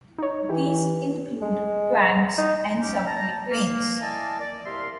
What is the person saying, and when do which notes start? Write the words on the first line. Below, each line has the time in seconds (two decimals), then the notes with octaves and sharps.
These include trams and subway trains.
0.18 D#4 C#5
0.49 E3 E4 G4
1.42 G#3
2.38 D#4
2.81 F#3 C#4 G4
3.06 A5 A#5
3.51 A#3
4.01 E4 A#4 D5 D#5 G#5 A5
4.40 D5
4.66 C2 G4 A#4 E5 F5 C6